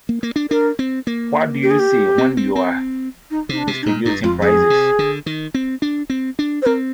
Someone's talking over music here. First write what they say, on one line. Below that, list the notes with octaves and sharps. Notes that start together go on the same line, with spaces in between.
What do you say when you're distributing prizes?
A#3
A#3
D4
D4 A#4
C4
A#3
G4
G#4
G4
C4
C4
C4
D#4
C3 D#4
D4
C3
D4
A#2 D#4
G2 D#4
F2 F4
F2 G#4
C3
D3
D#3
C4
D4
C4
D4
C5
C4 A#4